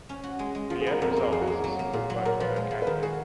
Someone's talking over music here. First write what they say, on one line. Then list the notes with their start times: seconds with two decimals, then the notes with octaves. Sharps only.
The end result is a single vote per candidate.
0.09 C#4
0.23 F#4
0.39 G#3
0.55 G#3
0.70 F3 F4
0.81 G#4
0.86 B3 A#4
1.01 F2 A#4
1.12 A#4
1.16 A#3
1.22 G#4
1.32 F2 G#4
1.41 F#4
1.47 A#3 G#4
1.64 F#3
1.79 A#3
1.93 A#2 G#4
2.10 F#3
2.25 A#2 A#4
2.40 F3 B4
2.56 G#3
2.71 F3
2.82 B4
2.87 D#3 A#4
3.02 F#4 G#4